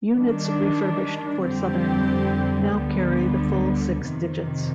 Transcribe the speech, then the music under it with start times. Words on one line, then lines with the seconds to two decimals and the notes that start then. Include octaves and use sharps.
Units refurbished for Southern now carry the full six digits.
0.14 D#3 G3 D4
1.44 F2 D3 G3 C4 G4
2.76 D2 D3 G3 B3
4.07 F2 C3 D#3